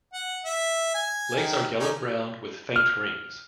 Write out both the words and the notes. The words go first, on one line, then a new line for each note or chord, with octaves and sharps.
Legs are yellow brown with faint rings.
F#5
E5
G#5
D#3
C#4 D#4
F6